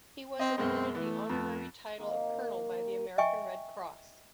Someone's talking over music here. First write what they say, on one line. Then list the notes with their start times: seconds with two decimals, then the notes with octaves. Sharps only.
He was awarded the honorary title of colonel by the American Red Cross.
0.40 C4 D#5
0.58 F#2 B2 G#3 C4
0.95 E3 A3 B3
1.30 F2
1.99 C3 D#3 A#3
3.18 D#5 E5 G5 G#5 C#6